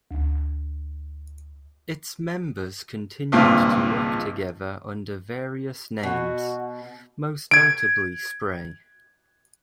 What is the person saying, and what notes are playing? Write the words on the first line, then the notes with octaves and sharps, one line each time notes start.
Its members continued to work together under various names, most notably Spray.
D2
G#1 C#2 G2 A#2
B2 F#4
G#6 D7